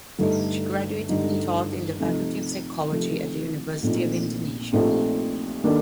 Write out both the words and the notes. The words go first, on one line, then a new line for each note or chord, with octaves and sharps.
She graduated and taught in the Faculty of Psychology at the University of Indonesia.
G2 D3 A3 D#4
G2 D3 A3 D#4
C3 F3 A3 D#4
C3 F3 A3 D#4
A#1 A#2 A3 C4 D#4
A#1 A#2 A3 C4 D#4
D#3 A#3 D4 A4